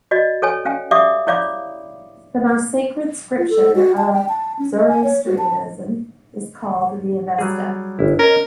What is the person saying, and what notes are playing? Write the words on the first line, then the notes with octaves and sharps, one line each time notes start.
The most sacred scripture of Zoroastrianism is called the Avesta.
F#4 D5 D#5
A4 C#5 G#5
C#4 F5 G5 G#5
G4 D5 E5 F5 D6 D#6
E4 C#5 D5 F5 B5 D6
F4
A4
F#4
A5
G5
A5
C#4
D#5
G#5
C#5
F#4
A5
F#3 G3 G#4
G1 E4
C#4 A#4 D#5